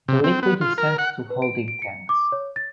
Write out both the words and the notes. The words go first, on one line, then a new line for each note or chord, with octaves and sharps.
The liquid is sent to holding tanks.
C3
C4
B3
F4
A#4
F#5
B4
D7
D7
C#7
D6
C#5
A6